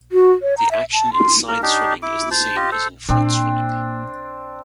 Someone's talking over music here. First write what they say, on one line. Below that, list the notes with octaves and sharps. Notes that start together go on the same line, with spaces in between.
The action in side swimming is the same as in front swimming.
F#4
C#5
A#5
E5
A5
C6
A#3 A#4
D4 D#4 G4
E4 D6
C5 A5
F4 G4 D#5
A4 C5
A#2 A#3 C4 D4